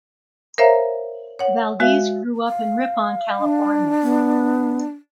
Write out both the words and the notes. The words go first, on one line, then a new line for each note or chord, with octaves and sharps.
Valdez grew up in Ripon California.
A#4 C5 C#5 E5 F5 A#5
C#5 F#5
G#3 F#4 E5 F5
F5
D4
B3